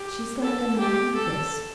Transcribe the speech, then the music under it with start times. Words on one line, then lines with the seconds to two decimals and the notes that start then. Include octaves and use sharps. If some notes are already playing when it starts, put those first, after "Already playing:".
She's like Amanthis!
Already playing: G4
0.42 A4
0.79 G4
1.15 A4